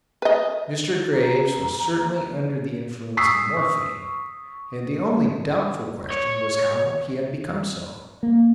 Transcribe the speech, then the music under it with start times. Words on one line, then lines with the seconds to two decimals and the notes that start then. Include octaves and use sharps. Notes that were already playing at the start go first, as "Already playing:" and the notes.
Mr. Graves was certainly under the influence of morphine, and the only doubtful question was how he had become so.
0.22 B4 D#5
1.13 A#5
3.17 C#6 D#6 E6 B6 C7
6.10 C#5
8.23 A#3